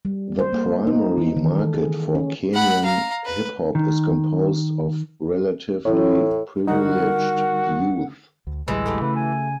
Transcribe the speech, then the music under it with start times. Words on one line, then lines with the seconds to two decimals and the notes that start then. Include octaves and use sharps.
The primary market for Kenyan Hip Hop is composed of relatively privileged youth.
0.05 G3
0.39 C5
0.53 A#3
0.87 D#4
1.18 E3
1.37 D#3
1.59 A4
1.74 G#4
2.15 C#4
2.54 F#5 B5
2.84 F5 A#5
3.25 B4
3.75 D#3
5.85 A2 E3 C#5
6.67 D3 G3 D#4 F#4 A#4 F#5
8.47 D2
8.68 A1 D2 E3 G3 G#3 G#4
8.86 A3 F#4 G4
9.02 C#3 B4
9.15 G#5